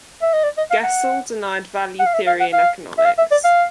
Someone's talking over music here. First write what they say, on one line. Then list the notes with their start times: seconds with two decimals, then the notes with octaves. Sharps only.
Gesell denied value theory in economics.
0.22 E5
0.33 D#5
0.44 D5
0.58 D#5
0.71 F5
0.83 F#5
1.99 F#5
2.07 F5
2.14 E5
2.27 F5
2.40 F#5
2.53 F5
2.98 E5
3.05 F5
3.18 E5
3.32 D5
3.45 F5